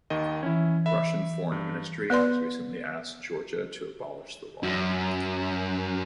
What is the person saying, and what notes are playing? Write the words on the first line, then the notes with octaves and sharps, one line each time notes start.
Russian Foreign Ministry has recently asked Georgia to abolish the law.
D#2 D#3 D#5
E3 C#4 E4
E5 B5
G2
B3 B4 D5 C6
F#2